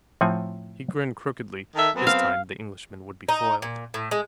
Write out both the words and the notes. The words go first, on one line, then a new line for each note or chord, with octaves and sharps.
He grinned crookedly; this time the Englishman would be foiled.
A2 F3 C4 F#5 G#5
D#3 A4 E5
F#2 B3 C4
F5
D#4
A#2
A2
G#3